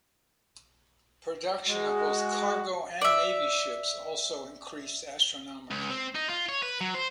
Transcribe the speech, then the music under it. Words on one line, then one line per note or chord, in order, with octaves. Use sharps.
Production of both cargo and Navy ships also increased astronomically.
G#3 F#4
D5 E5
C#2
C4
D#4
F4
C#5
B4
F#3
C5